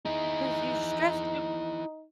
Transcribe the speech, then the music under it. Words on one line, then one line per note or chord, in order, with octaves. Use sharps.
'Cause you stress too
D#4 E4 G#4